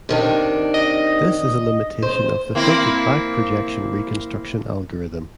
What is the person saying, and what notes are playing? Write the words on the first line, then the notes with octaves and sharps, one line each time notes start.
This is a limitation of the filtered back projection reconstruction algorithm.
C3 D#3 D4
D#5
C5
A#3 C4 E4